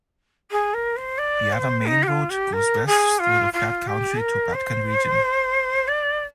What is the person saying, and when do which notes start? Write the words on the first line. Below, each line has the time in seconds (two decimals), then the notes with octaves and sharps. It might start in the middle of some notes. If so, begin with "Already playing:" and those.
The other main road goes west through the flat country to Batken Region.
0.51 G#4
0.73 A#4
0.96 C5
1.18 D5
1.52 C5
1.86 D#4
2.02 G4
2.07 F4
2.29 G4
2.52 A#4
2.86 G#4
3.19 F4
3.53 F4
3.87 G4
4.20 A#4
4.53 C5
5.87 D5